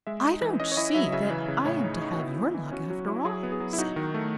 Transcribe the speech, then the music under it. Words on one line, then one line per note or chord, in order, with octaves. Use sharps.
"I don't see that I am to have your luck after all," said he.
G#3 E5
D#4
E3
C#4 D#5
C#5
E4 D#5
F#3 E5
C#3 E5
E3
C#3
A2 C#5
D#4
D#4
F#4
B3 E4
E3
E3
C#4 F#4
F#3
E4
F#3 G#4
B3
G#4
F#3
E4
D#4 F#4
D#3
A3